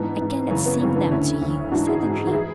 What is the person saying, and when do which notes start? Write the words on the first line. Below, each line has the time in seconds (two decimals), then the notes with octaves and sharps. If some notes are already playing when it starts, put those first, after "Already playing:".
"I cannot sing them to you," said the dream.
Already playing: G#2 E3 B3 D4
0.20 G#2 E3
0.50 F#2 C#3 E3 C#4
0.66 B3
0.81 F#2 C#3 E3 C#4
0.96 B3 D4
1.11 D2 D3 C#4 E4
1.42 D2 D3
1.71 G#2 E3 D4 F#4
1.87 E4 G#4
2.03 G#2 E3
2.27 F#4
2.33 E3 E4 G#4